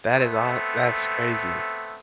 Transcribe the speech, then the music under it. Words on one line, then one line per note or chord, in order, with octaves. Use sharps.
That is aw that's crazy.
A3 B3 C4